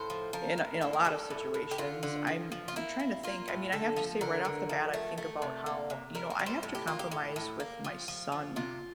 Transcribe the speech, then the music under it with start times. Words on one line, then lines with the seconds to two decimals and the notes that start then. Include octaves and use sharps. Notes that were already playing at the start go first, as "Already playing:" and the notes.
in a in a lot of situations. I'm trying to think, I mean, I have to say right off the bat, I think about how you know, I have to compromise with my son
Already playing: A2 C5
0.10 F3
0.33 F3 A#4
0.58 A2
0.81 A#3 A4
0.93 A#4
1.05 G3 A4
1.30 A2
1.54 A2
1.71 G4
1.78 D3 F4
2.03 D3
2.27 F3
2.52 F3
2.68 F4
2.76 A#3 E4
3.00 A#3
3.23 A#3 F4
3.48 A2
3.72 D3 A4
3.96 F3
4.21 D3 A#4
4.45 D3
4.69 F3
4.94 A3
5.18 A3
5.42 C3
5.66 A#3
5.90 C3
6.15 G3 A#4
6.30 A#4
6.39 G3
6.46 C5
6.63 A2
6.75 G4
6.87 A#3 F4
6.99 G4
7.11 A2 G4
7.36 A2
7.60 A#3
7.84 F3
8.08 F3
8.32 F3
8.56 C3 F4